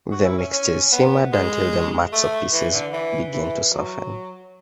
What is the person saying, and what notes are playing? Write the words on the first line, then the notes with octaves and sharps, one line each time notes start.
The mixture is simmered until the matzo pieces begin to soften.
F#4
E4
C#4
C#4
B3
G#3
A3
E3
D3
E3
E3
F#3